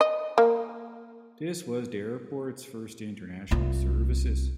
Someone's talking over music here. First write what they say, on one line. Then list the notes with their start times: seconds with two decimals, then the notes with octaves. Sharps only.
This was the airport's first international services.
0.01 D#5
0.38 A#3
3.51 C2 F4